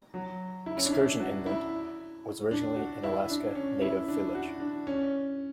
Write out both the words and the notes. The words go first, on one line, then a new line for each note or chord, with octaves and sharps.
Excursion Inlet was originally an Alaska Native village.
F#3
E4
C#4
D4
E4
F#4
E4
D4
F#4
E4
D4
C#4
E4
D4
F#4
D4
C#4